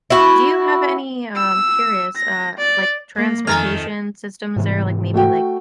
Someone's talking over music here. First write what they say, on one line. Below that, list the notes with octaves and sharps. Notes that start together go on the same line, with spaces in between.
Do you have any, um- curious- uh, like, transportation systems there? Like, maybe, like,
E4 F#4
E6
A#6
D5
A#3
F2 D#3 A3 G#5 A#5 F6
G#2 C3 E3
A3 F#4 G5